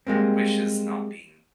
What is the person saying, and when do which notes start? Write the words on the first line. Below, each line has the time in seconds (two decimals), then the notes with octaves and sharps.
wishes not being,
0.07 G3 G#3 A#3 C4